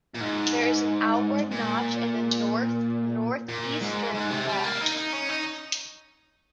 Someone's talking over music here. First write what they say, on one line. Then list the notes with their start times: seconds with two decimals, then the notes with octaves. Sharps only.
There is an outward notch in the north-northeastern wall.
0.15 A#2
0.21 G#2
1.51 A#2
3.49 A#2
3.82 G#2
4.15 G#2
4.31 C3
4.48 G3
4.64 A#3
4.81 D#4
4.97 D#4
5.13 C#4
5.29 D#4